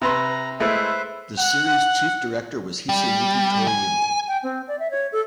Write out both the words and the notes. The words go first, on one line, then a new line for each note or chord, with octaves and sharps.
The series chief director was Hisayuki Toriumi.
C3 B4 A#5 C6
G#3 A3 E4 B4 C5 E5
F#5
G3
G#5
G5
C4
D5
E5
C#5
A4